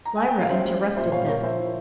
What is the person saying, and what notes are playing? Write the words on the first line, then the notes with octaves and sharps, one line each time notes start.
Lyra interrupted them.
A#5
G#5
G5
F5
C#4 C5 E5
G3
G3
A#2 C5 E5
A#2 C#5 F5
A#2 A#4 C#5
F3 C5 E5
E4